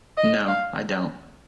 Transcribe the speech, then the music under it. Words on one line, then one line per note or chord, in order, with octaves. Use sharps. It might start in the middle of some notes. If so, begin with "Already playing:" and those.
No, I don't.
D#5
F5